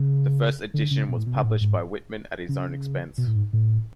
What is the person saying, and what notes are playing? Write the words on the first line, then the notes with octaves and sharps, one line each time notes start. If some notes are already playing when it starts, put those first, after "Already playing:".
The first edition was published by Whitman at his own expense.
Already playing: C#3
D3
C#3
B2
A2
B2
C#3
A2
G#2
C#3
B2
A2
G#2
A2